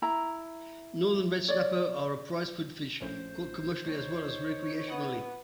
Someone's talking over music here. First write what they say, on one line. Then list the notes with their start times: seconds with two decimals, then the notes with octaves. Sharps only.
Northern red snapper are a prized food fish, caught commercially, as well as recreationally.
0.02 E4 A#5
1.48 C#5 D5
3.00 A#1 A2 C#4 C5
3.86 D#2 D#4 C#5
4.89 B3 D#5 F#5